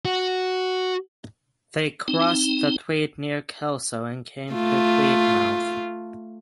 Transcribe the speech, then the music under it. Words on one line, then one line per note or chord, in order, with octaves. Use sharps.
They crossed the Tweed near Kelso and came to Tweedmouth.
F#4
C4 D#4
A3 F4